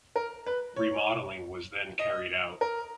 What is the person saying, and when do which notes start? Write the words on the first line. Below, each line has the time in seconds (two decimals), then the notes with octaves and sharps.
Remodelling was then carried out.
0.16 A#4
0.46 B4
0.76 C#5
1.99 D#5
2.61 A#4